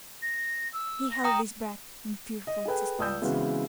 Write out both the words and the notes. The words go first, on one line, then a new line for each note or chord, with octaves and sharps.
He held his breath in fearful suspense.
A#6
E6
A#6
G5 A#5 D#6
D#5
G#4 A4 B4 G5
C#2 D5 D#6 E6 G6
C#3 E3 G#3 B3 C4 F#4